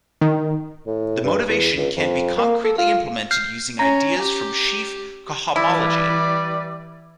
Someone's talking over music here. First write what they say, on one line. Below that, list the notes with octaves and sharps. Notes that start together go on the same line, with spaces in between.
The motivation can be concretely implemented using ideas from sheaf cohomology.
D#3
A2
G2
E2
C#2
F2
A#3
A4
F4
F6 G6 C7
C#4 A#5 A#6
G4
E3 G3 E4 B4 D5